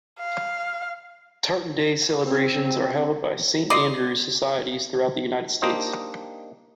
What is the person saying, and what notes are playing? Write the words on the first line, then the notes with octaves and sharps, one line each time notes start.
Tartan Day celebrations are held by Saint Andrew's Societies throughout the United States.
F5
C4
D5 D#5 C6
A#3 D4 D#4 G4 C5 D#5